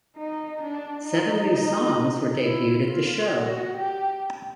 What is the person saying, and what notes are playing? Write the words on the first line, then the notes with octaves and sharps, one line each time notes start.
Seven new songs were debuted at the show.
D#4
D4
D#4
E4
F4
F#4
G4